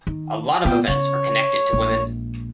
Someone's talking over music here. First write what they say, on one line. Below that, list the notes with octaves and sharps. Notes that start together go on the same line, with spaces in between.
A lot of events are connected to women.
D#3
A#2 B3 G5
C#3 C#4 C#5
A#1 G#3